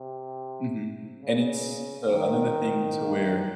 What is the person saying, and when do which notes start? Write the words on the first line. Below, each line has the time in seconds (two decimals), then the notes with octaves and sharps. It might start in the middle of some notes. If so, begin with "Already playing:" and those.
Mhm, and it's, uh, another thing to where,
Already playing: C3
1.22 C#3
2.11 D#3